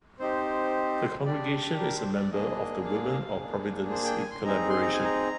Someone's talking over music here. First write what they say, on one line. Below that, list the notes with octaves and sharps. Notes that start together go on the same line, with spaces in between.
The congregation is a member of the Women of Providence in Collaboration.
C4 D#4 G4 C5
D4 G4 D5
A#4
C5
D5
A#3 D4 G#4 D#5
F5
A#3 D4 G#4
C5
G5
G#5
C6
C4 D#4 G#4 A#5
C6
A#5
G#5
A#5